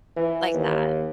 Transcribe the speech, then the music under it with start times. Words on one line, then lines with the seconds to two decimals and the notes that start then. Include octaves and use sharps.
like that.
0.17 E3
0.54 D#2